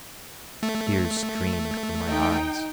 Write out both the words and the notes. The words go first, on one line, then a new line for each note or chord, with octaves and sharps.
Tears streamed from my eyes.
A3
D#4 G5